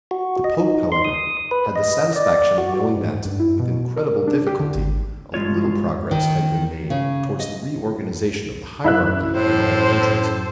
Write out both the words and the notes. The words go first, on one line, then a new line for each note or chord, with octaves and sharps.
The Pope, however, had the satisfaction of knowing that, with incredible difficulty, a little progress had been made towards the reorganisation of the hierarchy in all countries.
F#4
D#5
D#4
C6
D#6
B4
D#5
D5
F#4
G#2
G2
E4
B2
A#4
D4
G4
D3
G#1
G2 G#3 F4 C#5
D#3
C#3
D#5
F#2 E4 E5 F#6
A2 A4 C5